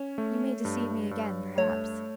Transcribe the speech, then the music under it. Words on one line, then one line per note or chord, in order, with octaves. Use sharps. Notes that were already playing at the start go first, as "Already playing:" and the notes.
You may deceive me again, perhaps.
Already playing: C#4 C#5
A3
G2
G2
A3 C#5